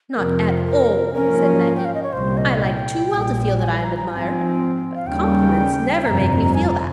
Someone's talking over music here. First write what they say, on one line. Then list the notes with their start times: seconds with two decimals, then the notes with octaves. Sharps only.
"Not at all," said Maggie; "I like too well to feel that I am admired, but compliments never make me feel that."
0.16 F2 C3 F3 A#4
0.65 A#4
1.14 G#2 F3 A#3 C#4 A#4
1.76 G5
1.85 F5
1.94 D#5
2.03 C#5
2.12 C2 A#2 G3 C5
2.37 D#5
2.62 G5
3.10 A#1 A#2 G3
3.60 G#5
3.84 A#5
3.97 A#5
4.09 G#2 F3 C4 G#5
4.95 F5
5.06 D#2 C#3 G3 C#4 G5
6.04 G1 F2 C3 A#5
6.54 G#5
6.66 A#5